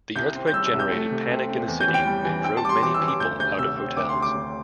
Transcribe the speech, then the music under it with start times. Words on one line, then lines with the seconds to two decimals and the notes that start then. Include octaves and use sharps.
The earthquake generated panic in the city and drove many people out of hotels.
0.15 C2 G6
0.35 C4
0.47 G6
0.53 G3 E6
0.66 E6
0.73 C2
0.79 G6
0.92 A3
1.11 C3
1.30 C4
1.49 C4
1.68 E2
1.81 G6
1.88 E3
1.94 G5
2.06 G3
2.25 E3
2.44 C4 G5
2.57 A5
2.63 G3 D6
2.69 C6
2.82 E3 D6
2.94 E6
3.01 E3
3.08 D6
3.20 D2 G6
3.39 D2 G6
3.59 C3 E6
3.77 C4
3.96 D2 D6
4.09 C6
4.16 D2
4.22 D6
4.35 D2